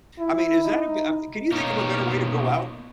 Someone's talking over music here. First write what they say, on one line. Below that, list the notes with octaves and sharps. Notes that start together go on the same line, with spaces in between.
I mean, is that a g uh can you think of a better way to go out?
E4
D#4
B2 A#3 D#4 A#4 C#5